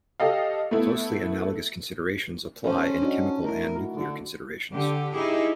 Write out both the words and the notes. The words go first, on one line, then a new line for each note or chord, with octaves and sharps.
Closely analogous considerations apply in chemical and nuclear considerations.
G4 A4 D#5 F5
A3 B3 E4
C#4 A4 C5
D4 D#4 F#4
A3 E4 A#4
F#4
D3
D3 G4
D#4 E4 G4 G#4